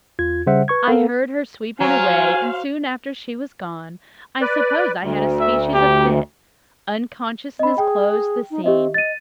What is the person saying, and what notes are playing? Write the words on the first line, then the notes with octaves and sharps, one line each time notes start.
I heard her sweeping away; and soon after she was gone, I suppose I had a species of fit: unconsciousness closed the scene.
E2 F4 G#6
C#3 G3 C5 E5 F#5
B4 C#6 G#6
B3 A4 A#4 F5
F#3 C5 F5 G#5
B4 D5
D2
E5
G4
C4 D#5 B5
G#4 G5
D#4
C4 G4 D#5 E5
D#5 A6 D#7